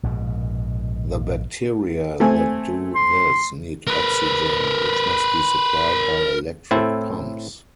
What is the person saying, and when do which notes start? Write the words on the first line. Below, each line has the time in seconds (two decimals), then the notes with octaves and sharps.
The bacteria that do this need oxygen, which must be supplied by electric pumps.
0.03 A#1 G#2 B2
2.20 A3 C4 G#5
2.96 C6
3.87 A#4 B4
6.71 A2 C4 E4 A4